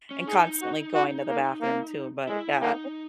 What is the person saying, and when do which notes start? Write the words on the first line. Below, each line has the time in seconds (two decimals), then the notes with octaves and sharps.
and constantly going to the bathroom too, but yeah.
0.11 C#4
0.27 D#4 G#4
0.61 F#4
0.94 F#4
1.28 A#3
1.61 A#3
2.28 G#3 E4
2.61 A#3 D#4